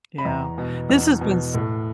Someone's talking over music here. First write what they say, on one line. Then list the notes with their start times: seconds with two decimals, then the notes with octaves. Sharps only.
Yeah, this has been s
0.18 B5
0.25 E2 A#5
0.58 B2
0.90 E2
1.21 B2
1.54 A2